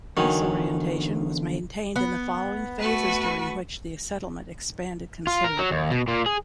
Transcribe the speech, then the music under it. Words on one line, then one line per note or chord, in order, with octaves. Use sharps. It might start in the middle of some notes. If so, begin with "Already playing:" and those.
This orientation was maintained in the following phases during which the settlement expanded considerably.
E2 D3 D#3 F#3 G#5
B3
A3 F#4 B4
F4
A#4
F#3
D#2
B2
A#2
G#4